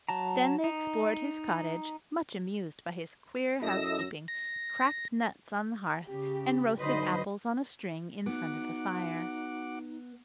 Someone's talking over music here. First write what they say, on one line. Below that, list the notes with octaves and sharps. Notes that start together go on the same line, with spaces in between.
Then they explored his cottage, much amused by his queer housekeeping, cracked nuts on the hearth, and roasted apples on a string in front of the fire.
F#3 A5 A#5
D#4
F#2 E4 A4 D#5 E6 A#6
A#6
C#3 G4
D3 F#3 D#4 B4 C5 D#5
B3 D#4 F#4 F#5 D6